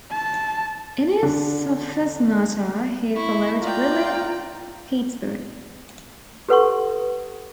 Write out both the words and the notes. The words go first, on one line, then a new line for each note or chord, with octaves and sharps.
In his "Sophismata," he followed William Heytesbury.
A5
D3
E4 C#6
F4 D5 G5 A#5
G4 A4 B4 F#5 C6 C#6